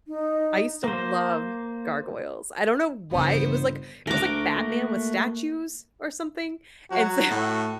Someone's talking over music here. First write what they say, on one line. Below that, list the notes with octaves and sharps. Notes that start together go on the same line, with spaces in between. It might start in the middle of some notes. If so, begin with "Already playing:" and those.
I used to love Gargoyles. I don't know why it was like it was like Batman with statues or something, and so
D#4
A#3 C5
G1 E2 C#3 B3 C5
D2 A3 F#4 A#4 D6
A#3
F#3 F#4
A2